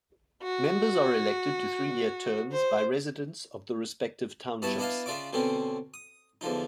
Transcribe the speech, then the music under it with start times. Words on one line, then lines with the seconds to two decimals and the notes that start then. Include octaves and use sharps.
Members are elected to three-year terms by residents of the respective townships.
0.43 F#4
2.51 C5
4.62 G2 B3 E4 F#4 A5 D#6
4.78 B3 D4 E4 D#5 F5 A5
5.06 C#3 D4 F4 D5 E5 D6
5.33 B2 D3 C4 C#4
5.94 D#6
6.41 E2 D3 F3 D#4